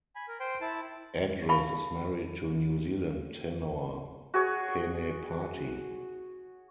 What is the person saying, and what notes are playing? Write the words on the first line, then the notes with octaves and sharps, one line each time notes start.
Edris is married to New Zealand tenor Pene Pati.
G#5 B5
A#4
C5 G5 C6
E4 A5
E4 F5 A5 B5 C#6
F#4 G#4 C#5